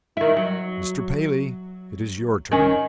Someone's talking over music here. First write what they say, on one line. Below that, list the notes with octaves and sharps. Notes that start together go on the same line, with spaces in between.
"Mr. Paley, it is your turn."
D#3 E4
F#3
D#3 C#4